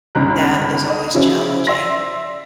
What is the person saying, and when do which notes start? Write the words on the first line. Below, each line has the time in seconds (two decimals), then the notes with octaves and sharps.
that is always challenging,
0.15 G1 C#2 D#4 A#5 F#6
0.90 D#5
1.14 C#3 F3 C#4 E4 F#4
1.67 D5 E5 C6 A#6